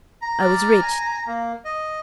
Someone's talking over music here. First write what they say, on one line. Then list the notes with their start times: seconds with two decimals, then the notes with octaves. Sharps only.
I was rich.
0.22 A#5
0.41 D5 F6
0.82 G#5
1.26 A#3
1.65 D#5